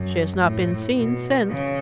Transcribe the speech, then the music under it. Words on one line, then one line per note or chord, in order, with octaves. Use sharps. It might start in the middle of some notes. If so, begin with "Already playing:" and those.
She has not been seen since.
Already playing: F#2
A2
B2
C#3